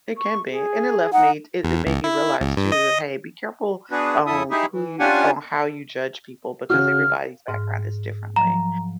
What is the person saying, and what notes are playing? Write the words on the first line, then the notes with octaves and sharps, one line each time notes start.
It can be. And it led me t it it made me realize too, "Hey, be careful on who you on how you judge people because everybody's background is differently"
C#6
G#4
D#4 F#5
E2
C#2
E4
C#2
G2
D#5
B3 D4 F#4 G#4 B4
F2 E4 A4 E5 D#6
D#4 E4 G4 G#4 E5
E3
C#4 D4 F4 G4 F#5 G#5
C#3 F#4 F6
G#2 F6
F3 F#3 A#5